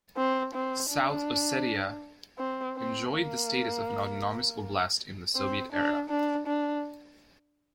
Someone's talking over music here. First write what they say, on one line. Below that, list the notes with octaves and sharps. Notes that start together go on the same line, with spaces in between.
South Ossetia enjoyed the status of an autonomous oblast in the Soviet era.
C4
C4
D4
C4
C4
A#3
C4
D4
D4
D4